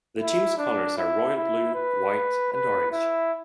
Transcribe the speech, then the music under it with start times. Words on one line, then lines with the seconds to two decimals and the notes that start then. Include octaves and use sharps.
The team's colors are royal blue, white and orange.
0.20 E4
0.58 D4
0.98 E4
1.37 E4
1.75 B4
2.53 B4
2.91 E4